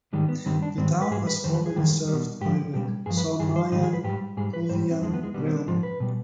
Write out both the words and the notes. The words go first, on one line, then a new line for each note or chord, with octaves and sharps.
The town was formerly served by the Somain-Halluin Railway.
G#2 D#3 G3 G#3
B3
G2 D#3 G3 C4
D4
G#2 D#3 G3 C4
B4
G#2 G3 G#4
B4
F2 D#3 G3 C5
B4
G#4
F2 C3 D#3 G3
B2 G3
G#2 F3 G4
B2 G3 G4
G2 F3 G#4
B4
G2 D#3 G3 G#4
C5
G#2 D#3 G3 D#4
G#4
B4
G#2 G4
G3
G#2 G3 G#4
B4
G#2 G3 C5
C4
F2 D3 G#3
F3
B3
G#3
B2 G3 B3
C4
D4
G#2 F3 F4
B4
B2 G3